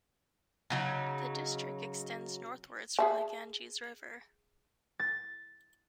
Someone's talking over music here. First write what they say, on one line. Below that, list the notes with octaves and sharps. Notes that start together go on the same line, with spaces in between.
The district extends northwards from the Ganges river.
C#3 F#3 D#4
G#4 E5 A5
A6